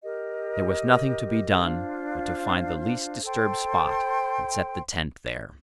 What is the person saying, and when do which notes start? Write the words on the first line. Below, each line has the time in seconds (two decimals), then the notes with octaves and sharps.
There was nothing to be done but to find the least disturbed spot, and set the tent there.
0.03 G4 A#4 D#5
1.62 D4 F4 C5 F5
3.22 A4 C5 G5 C6